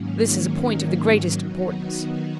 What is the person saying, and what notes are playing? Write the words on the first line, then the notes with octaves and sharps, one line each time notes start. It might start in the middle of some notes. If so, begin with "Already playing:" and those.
This is a point of the greatest importance.
Already playing: G#2 D#3 F#3 A#3 C#4
D#3 F#3 B3 D#4 F#4